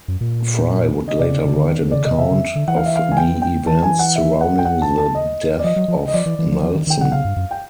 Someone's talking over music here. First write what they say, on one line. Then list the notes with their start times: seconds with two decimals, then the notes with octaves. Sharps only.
Fry would later write an account of the events surrounding the death of Nelson.
0.08 F#2
0.21 A#2
1.08 D#5
1.19 C3 D5
1.31 C#3
1.44 C#3
1.57 D3
1.68 D#3
1.81 D3
1.91 C#3 D5
2.04 C3 D#5
2.18 C3 E5
2.31 C#3
2.56 D3
2.68 E3 F#5
2.77 F5
2.86 E5
2.96 F5
3.12 G#5
3.17 G5
3.42 G5
3.66 E3 A5
3.83 G#5
3.99 F#5
4.16 E5
4.41 F#5
4.58 G5
4.65 F#5
4.82 A5
4.98 A5
5.15 D#5
5.59 D5
5.64 F3 D#5
5.76 F#3
5.88 F3
6.08 D#5
6.14 F3 D5
6.26 E3
6.39 E3
6.51 F3
6.63 F3
6.75 D#3
6.87 D#3 G5
6.99 D3 F#5
7.12 C#3 F5
7.25 G2
7.36 F#2
7.51 G5